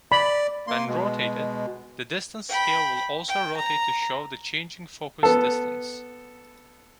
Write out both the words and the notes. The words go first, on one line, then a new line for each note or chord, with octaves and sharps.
When rotated, the distance scale will also rotate to show the changing focus distance.
D5 B5
A#3 C6
B2 G#3
G5 B5
G5
A#5
B3 A4